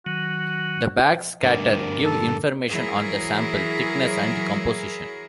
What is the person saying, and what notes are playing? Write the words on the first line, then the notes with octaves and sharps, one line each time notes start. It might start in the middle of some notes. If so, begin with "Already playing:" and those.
The backscatter give information on the sample thickness and composition.
D#3 F#3 F#4
D2 G2 A#4 D5
A4
E3 F#3 E4 G#4 A#4